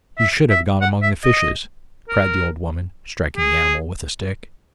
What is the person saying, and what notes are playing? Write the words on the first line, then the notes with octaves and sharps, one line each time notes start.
'You should have gone among the fishes,' cried the old woman, striking the animal with a stick.
E5
E5
F#5
E5
D#5
A#4
G#4